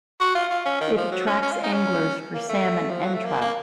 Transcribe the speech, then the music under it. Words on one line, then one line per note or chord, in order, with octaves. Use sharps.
It attracts anglers for salmon and trout.
F#4
F4
F4
C#4
D#3
F3
F#3
C#4
C#4
F4
D#4
C#4
A#3
A3
F3
F#3
A3
A#3
A#3